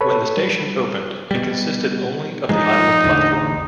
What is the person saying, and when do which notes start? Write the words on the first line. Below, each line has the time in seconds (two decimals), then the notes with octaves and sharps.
When the station opened, it consisted only of the island platform.
0.01 A4 B4 C#5 B5
0.37 G3
1.31 B2 G3
2.49 G2 F3 G#3 D#4
3.04 A1 E2 D3